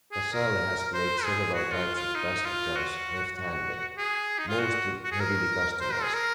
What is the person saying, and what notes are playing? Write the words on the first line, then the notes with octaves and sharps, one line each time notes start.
Casale has played several types of bass guitars left-handed, mostly heavily customized.
G#4
A#4
C5
G#4
F#4
F4
F4
D#4
F4
F#4
F#4
G#4
D#4
F4
F#4
F#4
G#4
A#4
C5
A#4
G#4
A#4